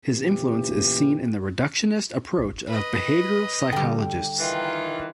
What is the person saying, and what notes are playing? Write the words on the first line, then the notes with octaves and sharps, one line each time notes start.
His influence is seen in the reductionist approach of behavioral psychologists.
E2 A#2 C#3 E3 G4
B4 D#5
D3 G3 G5
D#3 E3 F4